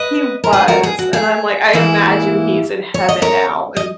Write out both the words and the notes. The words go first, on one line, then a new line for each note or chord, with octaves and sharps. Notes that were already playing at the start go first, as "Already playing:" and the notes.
He was, and, I'm, like I imagine he's in heaven now, and
Already playing: B4 D#5
A#4
G#4 B4
F#4 A#4
G#4
F#4
G#4
G#2 E3 A#3 E4
C#5
D#5
A#4 C#5
D#5